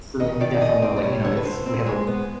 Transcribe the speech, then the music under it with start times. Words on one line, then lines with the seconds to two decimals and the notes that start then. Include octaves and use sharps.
So then you definitely know, like, you know, it's we have a
0.20 D#3 D#5
0.41 D#3 D5
0.54 D5
0.61 F#2 D#5
0.82 C4 D5
0.96 D5
1.03 G3 C#5
1.24 D3 C#5
1.37 B4
1.45 D3 C5
1.66 C4
1.86 G#3
2.07 B3